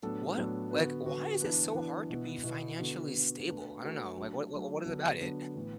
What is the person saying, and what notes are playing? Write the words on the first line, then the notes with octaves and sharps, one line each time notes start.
what like, why is it so hard to be financially stable? I don't know, like, what what what is about it?
A2 F#3 B3 D4 A4
A2 F#3 B3 D4 A4
D3 B3 F#4 B4
D3 B3 F#4 B4
E3 B3 D4 B4
E3 B3 D4 B4
B2 B3 E4 B4
B2 B3 E4 B4
D3 B3 F#4
D3 B3 F#4
A3 D4 F#4 B4
A3 D4 F#4 B4
F#3 A3 D4
F#3 A3 D4
D3 F#3 B3 D4
D3 F#3 B3 D4
A2 E3 B3